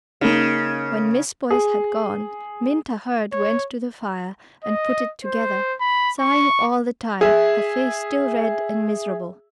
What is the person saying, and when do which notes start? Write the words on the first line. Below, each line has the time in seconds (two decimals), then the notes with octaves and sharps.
When Miss Boyce had gone, Minta Hurd went to the fire and put it together, sighing all the time, her face still red and miserable.
0.21 C#3 A#3 D#4
1.51 G#4
3.32 C#5
4.64 D#5
5.25 C5
5.81 B5
6.20 C#6
7.21 G#4 E5